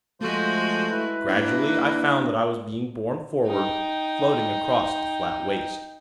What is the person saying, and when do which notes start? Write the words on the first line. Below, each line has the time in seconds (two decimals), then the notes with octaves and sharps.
Gradually, I found that I was being borne forward, floating across the flat waste.
0.21 F3 G#3 A3 F#4 C5
0.90 E4 B4
1.29 A#3 D4
3.47 D#4 G5